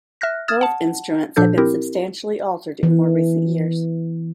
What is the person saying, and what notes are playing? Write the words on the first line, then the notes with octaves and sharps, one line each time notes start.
Both instruments have been substantially altered in more recent years.
E5 F6 F#6 A#6
D#6 F6 G#6 A6 E7
F#5 A5
A#2 F3 D4 A4 G6
C4 E4 G4 A#4
E3